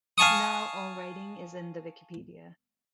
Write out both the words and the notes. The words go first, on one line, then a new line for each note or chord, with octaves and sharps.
Now, all writing is in the Wikipedia.
F5 G#5 A5 C#6 D#6